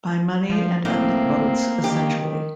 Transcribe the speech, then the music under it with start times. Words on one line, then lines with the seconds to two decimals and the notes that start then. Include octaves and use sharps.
By money and ethnic votes, essentially.
0.50 F3
0.85 A2 A#3 C4
1.84 D#3 G4